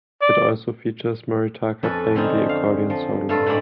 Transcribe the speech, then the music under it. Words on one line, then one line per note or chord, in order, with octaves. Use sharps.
It also features Moritaka playing the accordion solo.
D5
F2 C#4 A4 B4
D3 C4 C#4 D#4
F5
F3
G2 A3 F4 A4
A2 F#3 G#3 C4 D5 B5